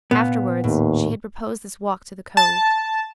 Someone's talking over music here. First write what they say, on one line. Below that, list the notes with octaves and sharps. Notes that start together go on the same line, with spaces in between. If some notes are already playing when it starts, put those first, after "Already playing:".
Afterwards she had proposed this walk to the Cove.
A#2 B3
D#2 A2
A5